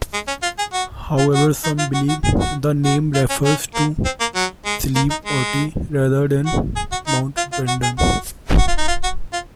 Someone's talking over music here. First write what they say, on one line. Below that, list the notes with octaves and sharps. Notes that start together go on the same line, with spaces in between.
However, some believe the name refers to Slieve Aughty rather than Mount Brandon.
G#3
C#4
F4
G#4
F#4
F4
F#4
D#4
F4
F#4
F#4
G#4
F#4
F#4
F4
C#4
C#4
A#3
C4
A#3
F#3
G#3
A#3
D#4
G#3
F#4
G#4
F#4
D#4
F4
F4
F#4
G#4
F#4
F#4
F4
D#4
F4
F#4
F4